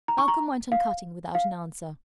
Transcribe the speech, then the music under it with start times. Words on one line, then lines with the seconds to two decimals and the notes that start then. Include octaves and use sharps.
Malcolm went on cutting, without an answer.
0.08 A#5
0.18 C#6
0.28 A#5
0.72 F5
1.35 F5